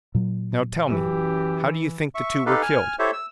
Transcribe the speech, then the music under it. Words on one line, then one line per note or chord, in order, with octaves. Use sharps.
"Now, tell me, how do you think the two were killed?"
A#2 F#3
F#2 E3 G4
E5 C#6
D#4 G4 A4 B4 F5
G#5 F6
E4 G4 A4 C5 C#5 E5
E6